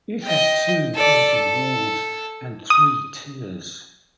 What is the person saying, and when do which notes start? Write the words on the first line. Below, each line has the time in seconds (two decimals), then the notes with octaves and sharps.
It has two enclosing walls and three tiers.
0.23 D#5 G5
0.94 A4 D5
1.34 A4
2.70 D#6